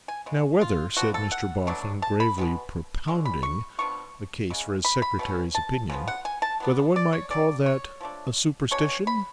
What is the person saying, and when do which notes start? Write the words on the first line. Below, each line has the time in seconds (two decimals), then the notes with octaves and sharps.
'Now, whether,' said Mr Boffin, gravely propounding a case for his Secretary's opinion; 'whether one might call that a superstition?'
0.08 G#5
0.26 C#3 G#3
0.61 F4
0.97 D3 F3 B3 F#4
1.14 A4
1.32 F#5
1.67 B2 F#3 A3 D4
2.02 A5
2.20 B5
2.38 B2 G#3 B3
3.08 D3 G#3 C#4
3.25 B5
3.43 C#6
3.78 F3 B3 D4 C#6
4.50 C#3 G#3
4.85 B5
5.02 B5
5.19 B2 A3 C#4
5.55 A5
5.90 C#3 F3 B3
6.08 F#5
6.25 G#5
6.42 A5
6.60 F#3 B3 D4
6.96 D5
7.13 C#5
7.30 F#3 C#4 D5
7.66 C#5
8.01 F3 A3 D4
8.71 B2 G#3 D4 C#5
9.07 B5